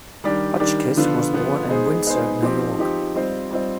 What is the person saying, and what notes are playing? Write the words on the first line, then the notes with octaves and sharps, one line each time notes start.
Hotchkiss was born in Windsor, New York.
D#3 G3 D4 G4 D5
D#3 G3 D4 G4 D5
D3 F3 B3 F4
D3 F3 B3 F4
G#3 B3 D#4 G#4 C5
G#3 B3 D#4 G#4 C5
F3 C4 D#4 G4
F3 C4 D#4 G4
G3 C4 F4 C5 D#5
G3 C4 F4 C5 D#5